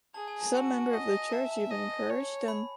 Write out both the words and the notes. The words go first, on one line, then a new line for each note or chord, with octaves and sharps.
Some member of the church even encouraged him.
G#4 A5
G#5
A5
F#4
D#5
E5 A5
A5
D#5
C#5
B5